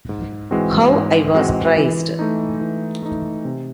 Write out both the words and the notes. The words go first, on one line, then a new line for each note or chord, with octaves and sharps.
How I was praised!
G#2
E3 G#3 C4 F#4
G#2
E3 G#3 C4 F#4
E3
A3 D#4
E3
A3 D#4
C3